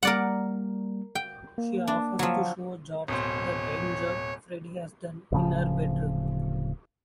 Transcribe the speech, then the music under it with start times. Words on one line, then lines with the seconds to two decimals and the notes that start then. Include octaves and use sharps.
She offers to show George the paint job Freddie has done in her bedroom.
0.03 G3 A#3 A#4 D5 F#5
1.15 G5
1.58 A#3
1.87 D4
2.19 F3 F#3
3.08 D1 B2 C5 C#5
5.32 D1 C#3 F3